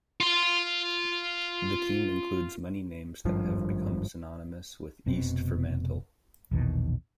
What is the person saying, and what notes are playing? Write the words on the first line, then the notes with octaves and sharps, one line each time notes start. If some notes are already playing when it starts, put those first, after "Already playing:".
The team includes many names that have become synonymous with East Fremantle.
F4 C6
G#1 G2 F3
F1 B2 C4
A#1 E2 B2 D#3